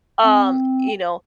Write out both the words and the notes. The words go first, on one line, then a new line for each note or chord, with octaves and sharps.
um, you know,
C4